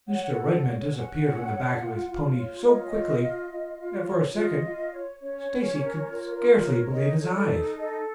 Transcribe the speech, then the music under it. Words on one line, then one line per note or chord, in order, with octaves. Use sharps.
Mr. Redman disappeared from the back of his pony so quickly that, for a second, Stacy could scarcely believe his eyes.
C#5 F#5
A4
C#5
C#4 F#5
C#4
C#5
F4
F4
C#5
F4 D#5
F4
F4
F4
F4
C#5
F4 D#5
F4
C#5
C#4 C#5
C#4
A#4
F4
A#4
C#5
D#4 D#5
A4 C#5
D#4
A4 D#5